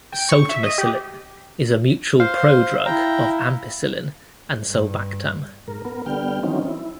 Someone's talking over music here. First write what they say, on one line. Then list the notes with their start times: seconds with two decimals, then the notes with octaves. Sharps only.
Sultamicillin is a mutual prodrug of ampicillin and sulbactam.
0.12 G5
0.29 C#6
0.49 E5
0.63 D#5
0.78 G4
2.20 C5 F5
2.86 E4 G5 A#5
4.66 G2
5.68 G#2 A#4
5.85 B3 A#4
6.06 D3 G3 B3 G5 F6
6.43 D#3 E3 F#3 C4 C#4 D#4
6.67 E4